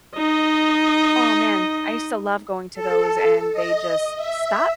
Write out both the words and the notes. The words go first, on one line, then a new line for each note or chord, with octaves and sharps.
oh, man, I used to love going to those and they just stopped
D#4 D#5
A4
D#5
E5